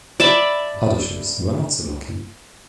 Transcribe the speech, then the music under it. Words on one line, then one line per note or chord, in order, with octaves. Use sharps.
Other ships were not so lucky.
D5 E5 A5 B5